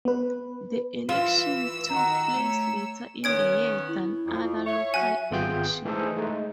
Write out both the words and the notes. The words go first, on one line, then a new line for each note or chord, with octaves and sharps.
The elections took place later in the year than other local elections.
B3 B4
E3 F4 E6
D#3 F#4 A#5
A3 C#5
D#3 B3 C#4 C#5 G#6 D7
E4
F2
C#5 E5
F#3 C#4 F#5 G#5
G#1 B3 F4 G#4 G5 G6
E3 A3 D#4 G#4 A4 C5
G#3 A3 D#4